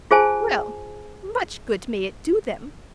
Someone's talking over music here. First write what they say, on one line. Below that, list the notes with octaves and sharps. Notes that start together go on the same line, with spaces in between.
Well, much good may it do them!
F4 G#4 C5 G#5 A5